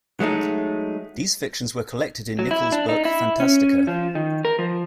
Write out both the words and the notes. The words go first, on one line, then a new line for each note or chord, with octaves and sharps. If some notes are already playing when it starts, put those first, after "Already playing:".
These fictions were collected in Nichols' book "Fantastica".
F#3 G#3 A3 D#4
F#3
E4
D4
D#4
E4
C#4
F3
D#3
A#4
F3